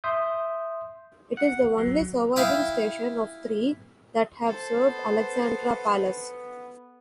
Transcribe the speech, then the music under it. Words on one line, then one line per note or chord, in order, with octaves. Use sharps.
It is the only surviving station of three that have served Alexandra Palace.
E5 C6 D#6 G6
F#5
F#3
E4 F5 G5 D#6
A4 C5
B3